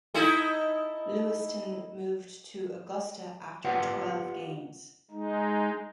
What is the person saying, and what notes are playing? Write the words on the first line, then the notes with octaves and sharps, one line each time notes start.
Lewiston moved to Augusta after twelve games.
D#4 E4 A4
F4 G4 B4 D5 F5 F#5
G#3 D#4